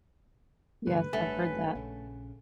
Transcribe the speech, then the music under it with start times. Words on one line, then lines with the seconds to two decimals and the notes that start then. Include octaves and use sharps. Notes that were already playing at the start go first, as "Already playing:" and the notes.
Yes, I've heard that.
0.87 D2 G2 C3 A3 B4
1.13 A1 G2 A3 C#5 F#5 G#5
1.75 A#1 C#3